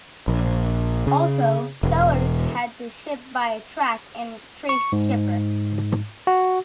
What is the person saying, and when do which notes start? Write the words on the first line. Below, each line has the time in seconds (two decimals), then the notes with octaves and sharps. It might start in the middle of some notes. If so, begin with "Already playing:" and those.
Also sellers had to ship by a track and trace shipper.
0.28 A#1
1.07 C#3
1.83 E1
4.69 C#6
4.92 G#2
6.27 F#4